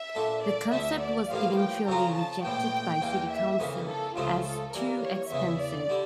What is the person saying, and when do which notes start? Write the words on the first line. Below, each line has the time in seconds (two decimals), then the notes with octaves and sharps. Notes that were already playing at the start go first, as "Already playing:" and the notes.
The concept was eventually rejected by city council as too expensive.
Already playing: E5
0.15 A#2 A3 D4 A4
0.44 D5
0.72 D2 D3 A3 E5
1.01 D5
1.30 A1 A2 F3 A#3 F5
1.59 G5
1.88 F2 C#3 F3 C#4 F4 A#5
2.16 A5
2.44 A#1 A2 E3 G5
3.01 E2 E3 A#3
3.30 E5
3.59 F2 C#3 E3 A#3
3.88 A4
4.16 C#2 C#3 F3 A3 E4 F4
4.45 A4
4.74 E3 G3 A#3 A#4
5.02 C#5
5.31 E2 C#3 E3 E5
5.60 D5
5.89 D3 G3 E4